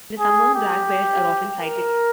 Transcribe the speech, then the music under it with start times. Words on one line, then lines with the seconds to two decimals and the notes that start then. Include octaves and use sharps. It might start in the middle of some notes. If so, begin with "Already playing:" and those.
In the summer black bears are often sighted.
0.19 G#4
0.55 G4
1.61 A#4